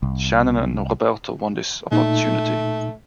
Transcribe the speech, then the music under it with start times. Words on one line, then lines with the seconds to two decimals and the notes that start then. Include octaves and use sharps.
Shannon and Roberto won this opportunity.
0.03 C2
1.92 A#2 A3 D#4